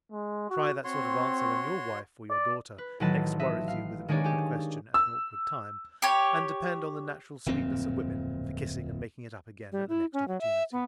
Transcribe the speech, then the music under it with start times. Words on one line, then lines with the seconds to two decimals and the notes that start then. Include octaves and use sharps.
Try that sort of answer when your wife or your daughter next worries you with an awkward question at an awkward time, and depend on the natural sweetness of women for kissing and making it up again at the next opportunity.
0.12 G#3
0.50 F#4
0.84 C4 F#4 C#5 C6
2.30 D5
2.78 B4
3.00 A1 D#3 F#3 B4 D#5 A5
3.40 B4 D#5 E5
3.68 F5
4.08 D#3 G#3 D4 G#4 C#5 D5
4.24 G4 G#4
4.94 E6
6.02 G4 C#5
7.46 D1 F2 A#2 C4
9.72 G3
9.89 E4
10.13 C#4
10.28 F#3
10.41 E5
10.72 B3